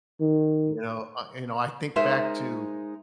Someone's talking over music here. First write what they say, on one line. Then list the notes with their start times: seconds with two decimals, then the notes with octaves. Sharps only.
You know, uh, you know, I think back to
0.21 D#3
1.96 G#3 D#4 A#4 C5 D#5 E5